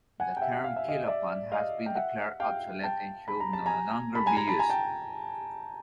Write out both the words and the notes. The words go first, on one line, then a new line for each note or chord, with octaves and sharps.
The term "kilopond" has been declared obsolete and should no longer be used.
F#5 G#5
G5
E5 F#5
F5
E5
D#5 F5
D5 E5
D#5 F5
G5
E5 F#5
F5 G5
G5 A5
B5
A#5
A5
G#5 A#5
A5 B5
G#5 A#5
G#5 A#5
A5 B5
G#5 A#5
G5 A5